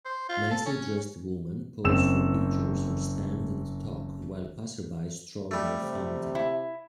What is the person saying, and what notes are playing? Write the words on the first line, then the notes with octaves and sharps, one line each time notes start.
Nicely dressed woman pose for pictures or stand and talk, while passersby stroll by a fountain.
C5
F4
A4
C#4
F#1 C4 E6 E7
G3 A3
C3
E4